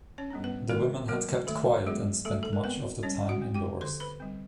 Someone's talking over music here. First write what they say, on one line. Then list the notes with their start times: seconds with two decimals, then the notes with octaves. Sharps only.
The women had to keep quiet and spend much of the time indoors.
0.18 C#4 C#5
0.30 G3 B3 D4
0.44 B3 B4
0.69 D#3 A#3 A#4
1.08 F#3 A#3 B3 A#4
1.47 D#3 A3 A4
1.87 F#3 G#3 B3 G#4
2.25 G3 A3 A4
2.43 A4
2.53 A#4
2.64 B3 C4 B4
3.03 G3 C#4 C#5
3.29 F#4 F#5
3.42 C4
3.54 G4 G5
3.81 D3 C5 C6
4.00 B4 B5
4.20 G3 C4